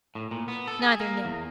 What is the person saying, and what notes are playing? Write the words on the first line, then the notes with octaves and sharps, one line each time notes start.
Neither knew.
A2
A#2
B3
A4
G#4
A#3
E2